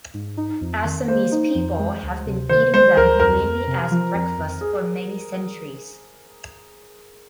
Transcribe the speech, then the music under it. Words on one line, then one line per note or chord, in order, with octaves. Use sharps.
Assamese people have been eating them mainly as breakfast for many centuries.
G#2
D#4
F2
D#3
A#3 C5
D#4
F2
G#3
D2
C3
D#3 C5
G#3 C5
D2 A#4
F2 A#4
F2
C3
F3
F2
F2
G#4